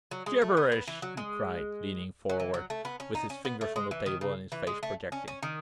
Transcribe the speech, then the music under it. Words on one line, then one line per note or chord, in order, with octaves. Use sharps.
"Gibberish!" he cried, leaning forward, with his fingers on the table and his face projecting.
F#3
G#3
A3
B3
B3
E3
F#3
G#3
F#3
E3
F#3
A3
B3
C#4
D#4
C#4
B3
A3
G#3
E3
D#3
C#3
E3
G#3
A3
C#4
C#4
D#3